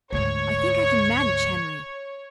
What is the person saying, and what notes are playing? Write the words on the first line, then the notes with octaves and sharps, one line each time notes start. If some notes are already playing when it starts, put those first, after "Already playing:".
I think I can manage Henry.
D2 G#2 C#5